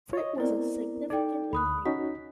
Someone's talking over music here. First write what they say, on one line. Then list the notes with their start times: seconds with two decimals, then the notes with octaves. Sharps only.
Frit was a significant ingredient.
0.13 C#5 D#5
0.38 B3 C4 E4 A#4 D5
1.10 D#4 A4 D5 G5
1.53 D2 B5 D#6 F#6
1.86 C#4 D#4 F#4 B6